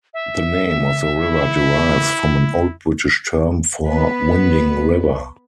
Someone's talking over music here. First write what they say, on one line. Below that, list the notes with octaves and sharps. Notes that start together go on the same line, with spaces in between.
The name of the river derives from an old British term for "winding river".
E5
E4
B3 B4